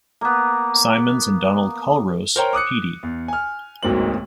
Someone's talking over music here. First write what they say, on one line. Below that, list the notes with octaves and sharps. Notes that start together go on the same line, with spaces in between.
Simonds and Donald Culross Peattie.
A#3 B3
A#4 C5 C#5 G5 A#5
D6 D#6 F#6 C#7
E2
G#5 F6
D1 B1 G#2 A#3 C4 F#7